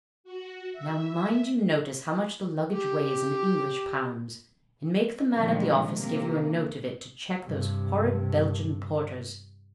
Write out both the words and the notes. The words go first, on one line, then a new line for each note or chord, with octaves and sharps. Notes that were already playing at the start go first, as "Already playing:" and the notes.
Now, mind you notice how much the luggage weighs in English pounds, and make the man at the office give you a note of it to check those horrid Belgian porters.
F#4
E5
G4
A#2 D3 D#3 F3 G#3 A3
C3 A#3
G2 C3